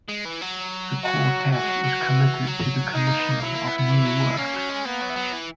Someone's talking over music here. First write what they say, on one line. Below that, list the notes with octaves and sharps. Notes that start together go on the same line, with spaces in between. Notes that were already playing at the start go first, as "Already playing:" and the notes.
The quartet is committed to the commissioning of new works.
G#3
E3
F#3
F#4
E3 F#4
G#3
F#3
F#3
E3
F#3
G#3 D#4
A#3
B3
A#3
F#3 E4
A#3
B3
B3
E3
F#3
G#3
A#3 C#4
F#3
G#3
A#3 B3
F#3
E3
F#3
E3